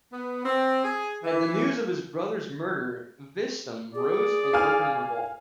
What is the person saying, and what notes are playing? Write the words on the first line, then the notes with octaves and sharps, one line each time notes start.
At the news of his brother's murder, Vistahm rose in open revolt.
B3
C4
G#4
E3
G#4 D5
F5 G#5 F6